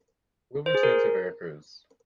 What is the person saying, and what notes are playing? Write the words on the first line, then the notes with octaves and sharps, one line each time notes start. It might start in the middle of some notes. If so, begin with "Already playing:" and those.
We’ll return to Veracruz.
C5
G#4
A#4